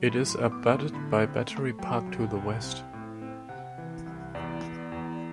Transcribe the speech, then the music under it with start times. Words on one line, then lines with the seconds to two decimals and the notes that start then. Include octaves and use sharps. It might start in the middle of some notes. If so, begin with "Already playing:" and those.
It is abutted by Battery Park to the west.
Already playing: F#3
0.09 A2 B5
0.30 C6
0.37 B3
0.52 D6
0.66 A2
0.73 C6
0.93 D3 B5
1.23 C4
1.50 A3
1.79 F#3 G5
2.07 C2
2.35 C2
2.64 C4
2.93 A2
3.21 C4
3.49 C3 F#5
3.78 E3
4.06 C2
4.35 E2 D5
4.62 B3
4.92 E2